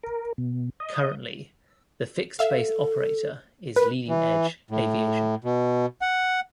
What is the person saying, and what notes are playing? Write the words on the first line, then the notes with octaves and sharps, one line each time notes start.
Currently, the fixed-base operator is Leading Edge Aviation.
A#4
B2
D#5
A4 E5 F5
A#4 B4
E3
A2
B2
F#5